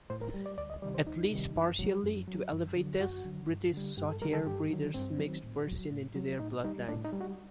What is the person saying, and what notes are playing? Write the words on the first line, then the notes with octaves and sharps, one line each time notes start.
At least partially to alleviate this, British Shorthair breeders mixed Persians into their bloodlines.
A2 C5
A#4
G3
D5
D2 D5
D#5
C3 D#3 G3 D5
C5
D2 D#4
C3 D#3 G3
F#2
F#3
F#2
F#3
F#2
D3 F#3
F#2 F#4
D3 F#3
G2
D3 G3
G2 G4
A4
D3 G3 A#4
A4
G2 G4
D#3 F#3
G2 C4
D#3 F#3
A2
F#3
A2
F#3
A2 D#4
G3 D#4
A2 D4
D#4
G3
F#4